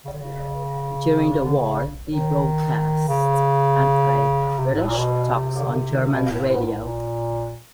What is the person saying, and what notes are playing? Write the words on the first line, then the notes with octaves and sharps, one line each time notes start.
During the war, he broadcast anti-British talks on German radio.
C#3
D3
C#3
D3
C#3
D#3
C#3
C3
G#2
A2
A#2
B2
C3
B2
A2
A2
G#2
A2
A#2